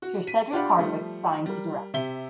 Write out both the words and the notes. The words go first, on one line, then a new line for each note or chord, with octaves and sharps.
Sir Cedric Hardwicke signed to direct.
F#4
B6 D#7
D4 F4 G4 D5 F#5 B5
F3 G3 A3
G3 A#4
C3 E5 G7